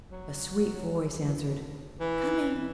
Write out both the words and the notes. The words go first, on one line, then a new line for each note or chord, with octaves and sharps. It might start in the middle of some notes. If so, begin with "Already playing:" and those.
A sweet voice answered, "Coming!"
F#3
D2
E3